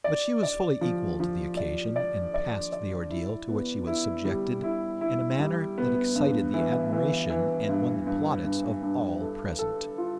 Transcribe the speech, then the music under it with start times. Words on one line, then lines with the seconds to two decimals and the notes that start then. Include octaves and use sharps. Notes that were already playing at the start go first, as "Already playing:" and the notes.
But she was fully equal to the occasion and passed the ordeal to which she was subjected in a manner that excited the admiration and won the plaudits of all present.
0.04 D5
0.43 D5
0.81 F3
1.20 F3
1.57 D5
1.96 D5
2.34 D5
2.72 D5
3.10 E4
3.48 B3
3.87 E4
4.25 G3
4.64 E4
5.01 E4
5.40 G3
5.78 B3
6.15 G2
6.54 E3
6.93 E3
7.30 E3
7.69 G2
8.07 G2
8.44 G2
8.83 G2
9.21 A4
9.59 A4
9.98 F4